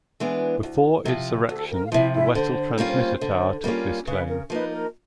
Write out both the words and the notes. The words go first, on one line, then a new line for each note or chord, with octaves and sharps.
Before its erection the Wesel transmitter tower took this claim.
E3 G#3 B3 D4
D2
C3 F3
D2 A4
A#4
F5
C3 F3 E4 E5
E4 E5
D3 C5
G3 A#3 C#4 F4
D3
G3 A#3 C#4 F4
C#3 B4
A#4
F3 A#3 D#4 B4
A#4